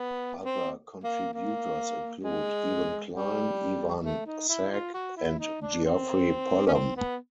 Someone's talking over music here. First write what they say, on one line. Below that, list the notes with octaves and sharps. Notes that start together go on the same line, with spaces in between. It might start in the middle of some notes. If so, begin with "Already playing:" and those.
Other contributors include Ewan Klein, Ivan Sag, and Geoffrey Pullum.
Already playing: B3
C4
A#3
A#3
G#3
G3
A3
D#4
E4
F4
F#4
E4
D#4
D4
C4
C#4
C4
B3